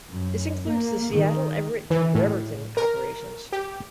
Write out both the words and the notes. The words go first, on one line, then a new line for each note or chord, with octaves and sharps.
This included the Seattle, Everett and Bremerton operations.
F#2
A#3
D#3
E3
A2
A#4
G4